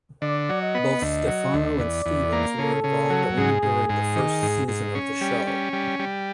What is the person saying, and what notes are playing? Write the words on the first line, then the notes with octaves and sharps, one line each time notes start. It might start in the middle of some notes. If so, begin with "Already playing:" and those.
Both Stefano and Stevens were involved only during the first season of the show.
D3 D5
F#3
D#5
B3
D2 D#5
F#3
D2
E2 D5
E2
A#3
C#3 A4
C#3
F#3
G#2 G#4
G#2
G#2
D#3
G#2
G#2
C#4
G3
C#4
G3
G3